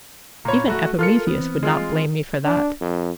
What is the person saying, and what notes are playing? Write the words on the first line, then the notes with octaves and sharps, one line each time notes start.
Even Epimetheus would not blame me for that.
A#2 C#5 A#5 B5
A3 F#4
F4 A4 A#4 F6 C#7
E3 B3 C4
G#3 F4
D4
F2